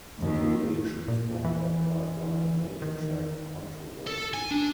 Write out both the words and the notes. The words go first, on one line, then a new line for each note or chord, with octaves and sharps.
Deviations from that guideline may attract controversy.
D#2
A#2
E3
D#3
A4
G#5
D4